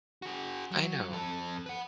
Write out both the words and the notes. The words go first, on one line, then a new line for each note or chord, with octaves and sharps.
I know.
F#4 G#4
F#3
F2 A4
B4 F#5